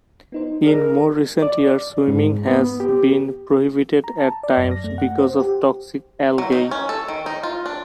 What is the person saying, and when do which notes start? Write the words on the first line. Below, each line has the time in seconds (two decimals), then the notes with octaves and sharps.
In more recent years, swimming has been prohibited at times because of toxic algae.
0.32 B3 D#4 C5
0.62 G#4 A#4 D5 D#5
1.42 D5
2.08 G#2
2.48 B3
2.80 G4
4.04 A#5
4.18 A5
4.43 D5
4.58 F#2
4.71 A#6
4.84 A3
4.98 F#5
5.18 C5
5.40 G4
6.38 F#3
6.52 D#4
6.71 C#4
6.89 A4
7.08 D#3
7.26 D#4
7.43 F4
7.66 D4